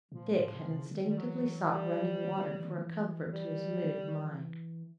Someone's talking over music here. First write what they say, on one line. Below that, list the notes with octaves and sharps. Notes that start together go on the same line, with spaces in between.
Dick had instinctively sought running water for a comfort to his mood of mind.
A#2 F3
A2
C#3
C3
C#3
D3
D#3 G3
E3 F#3
G3
D#3
D#3
E3
D#3
E3
G3
E3
D3
D#3
E3